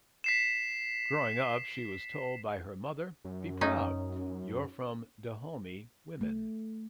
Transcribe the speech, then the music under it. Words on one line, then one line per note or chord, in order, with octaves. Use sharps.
Growing up she was told by her mother, Be proud, you're from Dahomey women!
B6 C7 E7
F#2
C#4 D#4
A3